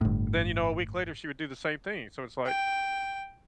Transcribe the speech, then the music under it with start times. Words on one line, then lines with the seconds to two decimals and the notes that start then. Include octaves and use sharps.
then, you know, a week later, she would do the same thing. So it's like
0.01 G1 A2
2.46 G5